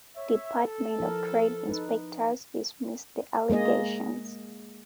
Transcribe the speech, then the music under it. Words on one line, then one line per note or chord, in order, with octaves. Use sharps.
Department of Trade inspectors dismissed the allegations.
C#5 E5
A4
F3 E4 A#4
D#4 B4
G#3 A#3 G#4 D#5